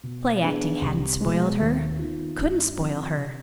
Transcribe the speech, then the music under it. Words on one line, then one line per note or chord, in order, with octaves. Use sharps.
Play-acting hadn't spoiled her--couldn't spoil her.
B2
B3 D4 G#4
C2
B2 G#3
D#2
D#3 B3 F4
G2
F3 C4
C3